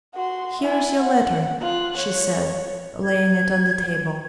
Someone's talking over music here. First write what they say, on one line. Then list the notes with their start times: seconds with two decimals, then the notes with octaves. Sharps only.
"Here is your letter," she said, laying it on the table.
0.15 F#4 C6
0.61 E4 G#5
1.01 F#5
1.61 F4 F#6
1.98 C#5
3.04 G#6